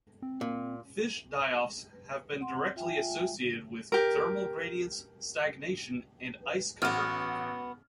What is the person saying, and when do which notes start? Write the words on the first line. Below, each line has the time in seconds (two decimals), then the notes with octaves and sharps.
Fish die-offs have been directly associated with thermal gradients, stagnation, and ice cover.
0.22 C4
0.41 A#2
2.40 C4 F#5 C6
2.76 F4 E5 G5 G#5
3.92 G4 A#4
6.82 A1 B3 F#4 F6